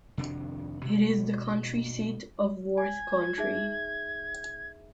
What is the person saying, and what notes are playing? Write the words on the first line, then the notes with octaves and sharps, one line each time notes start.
It is the county seat of Worth County.
F2 C3 D#3 D4
D2 G2 B2
G#5 G#6
D#4 G#4 E5